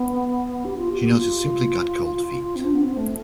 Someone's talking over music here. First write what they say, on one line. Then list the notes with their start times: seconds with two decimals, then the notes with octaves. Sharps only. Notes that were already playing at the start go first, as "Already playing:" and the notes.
She knows you simply got cold feet.
Already playing: B3
0.65 G4
0.77 F4
0.90 G4
1.02 G4
1.15 F4
2.56 C4
2.64 D4
2.74 B3
2.81 C4
2.97 A3